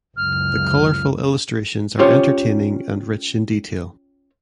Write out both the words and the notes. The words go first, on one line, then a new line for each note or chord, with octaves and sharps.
The colorful illustrations are entertaining and rich in detail.
F#1 C#2 F6
C#4 F4 G4 C5 C#5